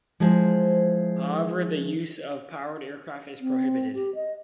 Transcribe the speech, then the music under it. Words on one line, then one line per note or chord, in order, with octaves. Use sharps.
However, the use of powered aircraft is prohibited.
F3 G#3 E4 G#4 C5
C4
G4
D#5